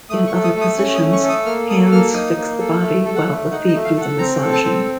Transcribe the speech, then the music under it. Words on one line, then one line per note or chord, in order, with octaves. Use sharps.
In other positions, hands fix the body, while the feet do the massaging.
A3 D#6
C#6
A4
D#6
A3
D#6
C#4 C#6
D#6
A3
C#6
A4
D#6
A#3 F6
A4 D#6
A#3 F6
D#4 D#6
A#3
A4
A3
A4
F#5
A3
D#4 F#5
D#5
A3
F5
A4 F#5
C4 A#5
A4
A5
C4